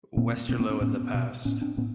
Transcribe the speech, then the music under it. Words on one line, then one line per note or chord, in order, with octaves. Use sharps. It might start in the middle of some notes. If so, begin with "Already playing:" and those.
Westerlo in the past.
A#2 A#3 C4
B2 A#3 C4
A#3 C4
B3 C#4
A2 B3 C#4
B2
A2 B3 C#4
C4 D4
A2 B3 C#4